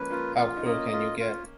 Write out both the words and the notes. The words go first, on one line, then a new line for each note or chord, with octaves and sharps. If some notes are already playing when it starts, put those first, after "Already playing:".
How cruel can you get?
Already playing: F3 G#3 A#3 C#4 B4
A#3 C#4 F4
F4
D#4
A#3 C#4 D#5
F4
F4